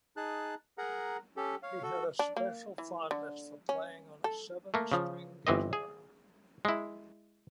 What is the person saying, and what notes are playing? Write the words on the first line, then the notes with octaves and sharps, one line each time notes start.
He had a special fondness for playing on a seven string guitar.
D#4 G#4 A5 F#6
G#4 A#4 F#5 A#5
C#4 G4 A4
C#5 F5
F#4 A4
D4
A#3
E3
D3
C#4
A4
A3 A#3
C#3 F3
G1 E3 C4 D#5
G#4
G#3 E4